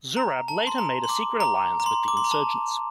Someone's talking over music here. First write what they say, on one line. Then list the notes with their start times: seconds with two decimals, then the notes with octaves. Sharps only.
Zurab later made a secret alliance with the insurgents.
0.17 A#5
0.48 A5
0.67 C6
0.78 A#5
1.04 C6
1.09 D6
1.40 A#5
1.80 A#5
1.86 C6
2.08 D6
2.17 C6
2.24 A#5
2.31 A5